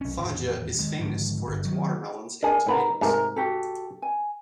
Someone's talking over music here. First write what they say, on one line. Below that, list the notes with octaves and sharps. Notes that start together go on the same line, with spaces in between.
Foggia is famous for its watermelons and tomatoes.
B1 C#4
D#1 E2 A2
D#3 G#3
G#2 D3 D#3 F3
G1
D#3 F#3
D4 G#4 A#4 G#5
A2 D#4 A#4 B4 F#5 A#5
G#2 C3 A3 A#4 A#5
F#4 G4 A4
G#5